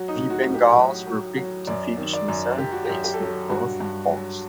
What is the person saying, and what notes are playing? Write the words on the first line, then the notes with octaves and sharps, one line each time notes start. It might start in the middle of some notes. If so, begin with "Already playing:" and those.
The Bengals were picked to finish in seventh place in both polls.
Already playing: F#3 F#4
D#4
A2
F#4
A2
G4
F#3
F#3
F#3
F#2 D5
D#3
D5
F#2
F#2 G4
F#4
F#2 G4
G4
A4
F#3 G4
G2 F#4
G2
F#3